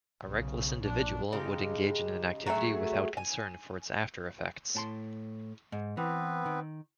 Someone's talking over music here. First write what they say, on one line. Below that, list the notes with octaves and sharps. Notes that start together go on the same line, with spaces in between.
A reckless individual would engage in an activity without concern for its after-effects.
B1 C#3
A#1 D4
C#3 G#3 D#4 G4
F#3 A3 G#4 E5
G#5
A2 A5 C6
G#2
E3 B3 C4 B4
D#3